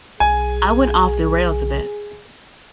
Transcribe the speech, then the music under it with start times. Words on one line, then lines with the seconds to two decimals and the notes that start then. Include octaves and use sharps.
I went off the rails a bit.
0.20 B1 G#4 G#5